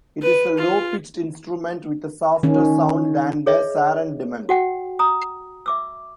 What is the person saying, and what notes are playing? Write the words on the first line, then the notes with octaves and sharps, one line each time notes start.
It is a low-pitched instrument with a softer sound than the saron demung.
B4
F4
D#3 C#4
G#4 C#5 D#5 E5
F#4 F#5 G5
A#5 D#6
E5 D6 E6